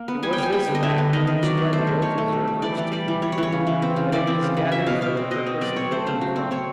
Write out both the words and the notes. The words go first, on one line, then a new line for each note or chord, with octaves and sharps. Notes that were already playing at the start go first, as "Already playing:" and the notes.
It was this fact which led the old observers to conclude that it was gathered for the purpose of building comb.
Already playing: A#3
B3
G3 G#5
G5
G3 G#5
G3 G5
D3
D#5
D3 E5
B3
D#3 D#5
D#3
F#3 D5
D#3
A3 C5
D#3
D#3 C#5
A3
G3
G3
E3 D5
E3 D5
G3 D5
E3
E3 C#5
C#5
E3
C#5
C#3
E3
C4
C#3
E3 D5
C4
C#3
C#3
F#3 E5
B2 F5
B2 F5
C4
B2 D#5
C4
F#3 D5
C4 C#5
A3 C5
C#3 C5
F#3
C4
C4 C#5